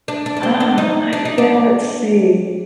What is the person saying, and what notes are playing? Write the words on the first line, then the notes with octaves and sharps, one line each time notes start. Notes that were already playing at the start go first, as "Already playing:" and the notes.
Oh, I yeah, let's see.
D4
D4
D4
C4
D4
D#4
D4
D#4
D4